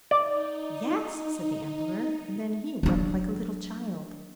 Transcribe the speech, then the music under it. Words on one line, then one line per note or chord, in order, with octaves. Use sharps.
'Yes,' said the Emperor; and then he wept like a little child.
D#4 D5
F#3 D4